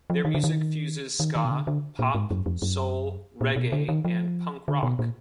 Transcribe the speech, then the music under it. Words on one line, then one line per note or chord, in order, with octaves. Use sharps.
Their music fuses ska, pop, soul, reggae and punk rock.
F3
D#3
D3
D#3
D#3
D#3
B2
D3
D3
A#2
G#2
F#2
F2
F#2
A#2
B2
D3
D#3
F3
D3
B2
A#2